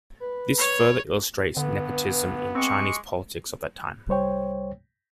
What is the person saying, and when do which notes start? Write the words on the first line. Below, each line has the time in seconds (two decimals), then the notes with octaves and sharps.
This further illustrates nepotism in Chinese politics of that time.
0.20 B4
0.58 C#5
1.57 G2 D3 B3
2.55 G#3 C4 C#6 D6
4.08 C2 G3 C5 C#5 G5